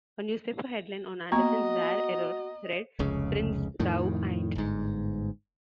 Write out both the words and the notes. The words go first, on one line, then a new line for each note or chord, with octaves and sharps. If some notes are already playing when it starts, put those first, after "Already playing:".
A newspaper headline on Anderson's rare error read "Prince Thou Ain't".
A#3 B3 F#4 D#5 A#5 C#6
F1 C#2 C#3
F2 A2 D#3
G1 G#2